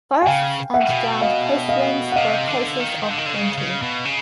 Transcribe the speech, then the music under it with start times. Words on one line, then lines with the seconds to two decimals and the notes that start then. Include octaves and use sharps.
Forests and drowned coastlands were places of plenty.
0.22 G#5
0.26 C#3 F5 G5
0.74 E5 F#5
0.90 B2
1.21 D#5 F5
1.69 D#5 F5
2.12 F#5
2.16 C3 D#5 F5
2.48 D3
2.80 D#3
3.10 D3
3.18 D#3
3.26 D3
3.34 C#3
3.58 C#3
3.82 B2
4.05 C#3